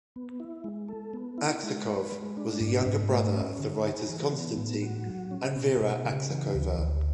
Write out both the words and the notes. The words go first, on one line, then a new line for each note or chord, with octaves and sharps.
Aksakov was a younger brother of the writers Konstatin and Vera Aksakova.
B3
E4
G#3
A4
B3
E4
G#3
B4
G#3
D4
G#2
G#2
A3
C#4
D3
G#4
E3
B3
A2
F#4
F#3
C#4
B2
B2
C#3
E3
D2
D2